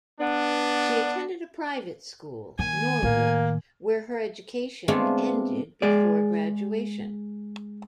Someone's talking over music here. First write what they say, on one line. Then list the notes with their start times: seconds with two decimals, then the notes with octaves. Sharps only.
She attended a private school, Norwood, where her education ended before graduation.
0.21 B3 D4
2.59 D#3 A#3 G#5
3.03 A2 D#3 A#3
4.88 G#3 A3 B3 C4 D4 F4
5.82 G#3 G#4 D5